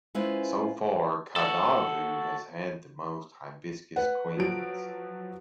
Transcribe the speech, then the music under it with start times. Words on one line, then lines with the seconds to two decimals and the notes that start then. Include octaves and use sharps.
So far Kadavu has had the most Hibiscus Queens.
0.15 G#3 C#4 E4 F4 B4 C5
1.36 F#4 A4
3.96 B4 F#5
4.37 F3 F#3 D7